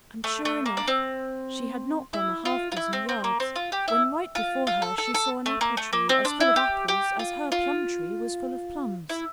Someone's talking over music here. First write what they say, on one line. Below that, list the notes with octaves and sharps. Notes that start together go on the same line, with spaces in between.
And sure enough she had not gone a half dozen yards when, right before her, she saw an apple-tree as full of apples as her plum-tree was full of plums.
A3
A3
A#3
D4
C4
E4
F4
F4
E4
C4
C4
A#3
C4
F4
G4
E4
F4
F4
A4
A4
A4
A3
A#3
A3
A#3
C4
D4
E4
G4
G4
F4
F4
E4